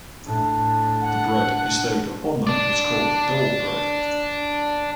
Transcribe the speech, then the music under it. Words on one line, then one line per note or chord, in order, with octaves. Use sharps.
The bread bestowed upon them was called dole-bread.
A2 D4
F#5
D4 D5